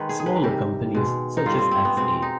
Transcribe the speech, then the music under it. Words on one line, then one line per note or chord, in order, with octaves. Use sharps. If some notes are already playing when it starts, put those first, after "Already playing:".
Smaller companies such as f.e.
Already playing: D#3 G#3 B4
G#4
G#4
B4
C3 G3 G4
B2 G#3
D#4
G2 D3 G3 F4
C4
C4
B3
B2 G#3 C4
D#4